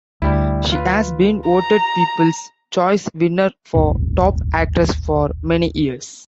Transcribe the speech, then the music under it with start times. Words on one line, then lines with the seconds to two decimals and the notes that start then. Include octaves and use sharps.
She has been voted people's choice winner for top actress for many years.
0.22 D2 G3 E4
0.72 F4 B4
1.49 A#5
3.74 D#1 G#1 C#2